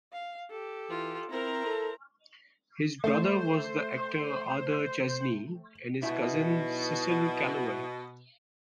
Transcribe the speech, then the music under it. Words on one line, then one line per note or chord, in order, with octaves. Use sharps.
His brother was the actor Arthur Chesney and his cousin, Cecil Kellaway.
F5
G4 A4
E3 F4
C4 E4 A#4 C5 A#5
A4
A3 C5
B1 B2 E4